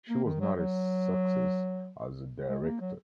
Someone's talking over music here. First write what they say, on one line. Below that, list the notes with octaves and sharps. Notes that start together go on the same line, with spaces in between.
She was not a success as a director.
A#3
D#3
F#3
F#3
G#3
A#3
F#3